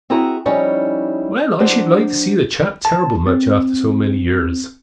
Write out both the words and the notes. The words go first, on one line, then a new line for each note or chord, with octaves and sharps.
Well, I should like to see the chap terrible much after so many years.
C4 E4 F#4 G#4 E5 A#5
F3 G3 C#4 D#4 E4 C#5
F#3 D4 C5
A5
C4